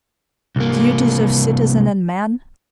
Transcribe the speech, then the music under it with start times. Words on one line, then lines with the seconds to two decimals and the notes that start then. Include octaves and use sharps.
Duties of citizen and man?
0.56 C2 A#3